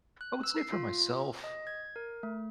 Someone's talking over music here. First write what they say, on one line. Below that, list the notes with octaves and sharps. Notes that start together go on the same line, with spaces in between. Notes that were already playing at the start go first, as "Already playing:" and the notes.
I would say for myself,
F#6
E6
C7
F4
D#5
G#6
A#4
A3